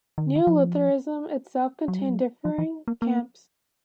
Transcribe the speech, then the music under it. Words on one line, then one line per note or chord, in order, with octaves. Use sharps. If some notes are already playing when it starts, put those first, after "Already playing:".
Neo-Lutheranism itself contained differing camps.
D#3
D3
D#3
F3
F#3
G3
F#3
F3
E3
A#3
A#3